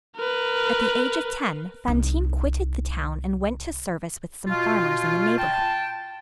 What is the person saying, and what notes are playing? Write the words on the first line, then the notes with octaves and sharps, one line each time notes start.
At the age of ten, Fantine quitted the town and went to service with some farmers in the neighborhood.
A#4 B4
C2 D#4
B2 F4
G5 A5